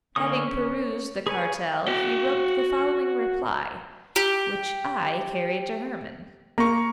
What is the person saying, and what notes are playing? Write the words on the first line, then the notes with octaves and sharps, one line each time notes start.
Having perused the cartel, he wrote the following reply, which I carried to Hermann.
D3 A#3 C#4 D#6
C#4
G#4 B4 C#5 G#5
F#4 G5
G4
A#3 A#5 C#6